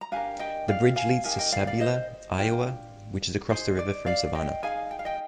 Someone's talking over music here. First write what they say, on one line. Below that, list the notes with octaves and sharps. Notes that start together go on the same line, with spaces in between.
The bridge leads to Sabula, Iowa, which is across the river from Savanna.
A#5
D4 G4 A#4 F5 G#5
D#5 G5
D5 F5
F5 G#5
D#4 G4 A#4 F5 G#5
D#5 G5
D5 F5
D5 F5
C5 D#5
D4 F4 G5
D#4 G#4 C5
D5
D5 F5
D#5 G5
D#4 G#4 F5 G#5
G5
F5
D#5 G5